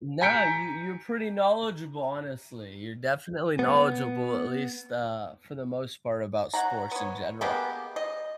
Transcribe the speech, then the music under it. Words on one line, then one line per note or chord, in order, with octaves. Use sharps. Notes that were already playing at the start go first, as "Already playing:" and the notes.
no, you you're pretty knowledgeable, honestly, you're definitely knowledgeable, at least, uh, for the most part about sports in general.
G#5 A#5 G6 B6 C#7 D7
B3
C#5 F#5 A#5
B3 C#5
G#3 A#3 B3 G4
D#5